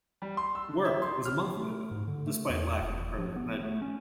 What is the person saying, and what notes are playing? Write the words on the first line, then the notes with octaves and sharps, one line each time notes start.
"Work" was a monthly event, despite lacking a permanent venue.
G3
C6
E6
D3
E5
C6
F6
A3
G#2
D3
A3
E2
F1
F3
B3
A3
C#4